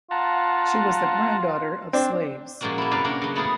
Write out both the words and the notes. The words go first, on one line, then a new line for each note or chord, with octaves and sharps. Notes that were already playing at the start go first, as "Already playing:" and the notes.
She was the granddaughter of slaves.
F4 F#5 A5 A#5
C4 D4
A#2 F3 G#3 A#3 C#4 F#4
A#3 E4
F#2 C3 F#3 B4 D5 F5
A#3 C#4 D4 A#4 F#5
C#3 F#3
A3 B3 E4 G#4 A#4